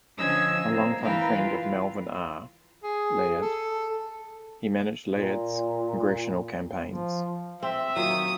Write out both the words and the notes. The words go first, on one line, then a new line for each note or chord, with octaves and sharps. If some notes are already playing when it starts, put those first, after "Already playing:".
A longtime friend of Melvin R. Laird, he managed Laird's congressional campaigns.
D3 F3 C#4 D#5 E6 G#6
A#3 C4
E3 A#4 B4 F5 G5
F4
G#4
A4
A#2
F3
C4 E5
D#3 F#3 A#3 F4 D#6